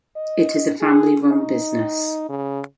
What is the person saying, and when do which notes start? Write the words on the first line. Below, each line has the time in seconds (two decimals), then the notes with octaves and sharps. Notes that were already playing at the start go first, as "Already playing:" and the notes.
It is a family-run business.
0.16 D#5
0.80 G#4
1.30 D#4
2.29 C#3